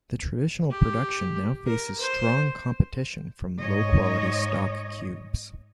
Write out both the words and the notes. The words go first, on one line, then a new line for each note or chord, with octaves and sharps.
The traditional production now faces strong competition from low-quality stock cubes.
G4
A#4
C5
G#2 C#5 D#5